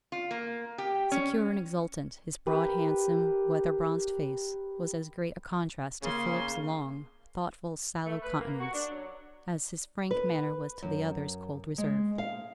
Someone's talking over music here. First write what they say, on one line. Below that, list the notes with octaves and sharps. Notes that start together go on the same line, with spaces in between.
Secure and exultant, his broad, handsome, weather-bronzed face was as great a contrast to Philip's long, thoughtful, sallow countenance, as his frank manner was to the other's cold reserve.
F4
A#3
G4
C#4
G4 A#4 B4 E5
C#3 A#3 C6
A3
B4
A#3
F#4
D4
F#3
B4
F#2
G#3
F5